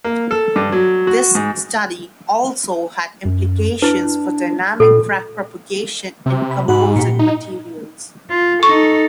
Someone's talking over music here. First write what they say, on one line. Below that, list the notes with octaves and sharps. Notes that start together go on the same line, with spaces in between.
This study also had implications for dynamic crack propagation in composite materials.
A#3
A4
G2
F#3
F#4
G#2
F#2
D4 E4 B4
A#2 A4
C3
B5
G#2 F#4 F#5 B5
A#2 G4
D#4
F4
D#4 A4 C#6